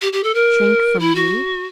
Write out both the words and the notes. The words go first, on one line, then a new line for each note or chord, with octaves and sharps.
"Shrink from YOU?"
G4
G4
A4
A#4
E4
F#4